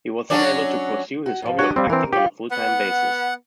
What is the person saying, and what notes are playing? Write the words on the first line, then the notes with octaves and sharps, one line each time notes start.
He was then able to pursue his hobby of acting on a full-time basis.
F#3 C#4 D4
F#4
G#2 F3
D4 F#4 G4 C#5 D#5
F3 G3 C4
E3 C4 A#4
D#4 F4 G4
B3 F#5